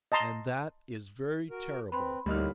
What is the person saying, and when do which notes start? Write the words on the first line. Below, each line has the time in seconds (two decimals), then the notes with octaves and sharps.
And that is very terrible.
0.12 D#5 A5 A#5 C6
1.50 F#4 A#4
1.92 C4 B4 B5 C6
2.26 D2 A2 G3 A#3 D#4 F6